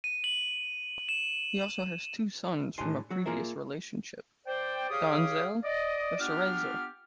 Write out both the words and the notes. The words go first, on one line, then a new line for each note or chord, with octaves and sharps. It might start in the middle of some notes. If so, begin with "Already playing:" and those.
He also has two sons from a previous relationship, Denzell and Cerezo.
D#7
F#7
E7
A2 D4 F4 G4 G#5 C6
F#3 F#4
A#3 F4 G#4 A#4 E5
C5 D5 G5
G4 G#4 C#5 F5 D#6
D5 D#5
B3 D4 F4 G4 F6